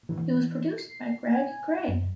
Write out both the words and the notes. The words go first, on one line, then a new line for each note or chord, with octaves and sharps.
It was produced by Gregg Gray.
E3
C7
G#5
F#2